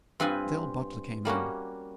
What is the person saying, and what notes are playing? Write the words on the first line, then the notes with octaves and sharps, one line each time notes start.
The old butler came in.
G2 C4 F4 B4 G#5
G3 A#3 C#4 F#4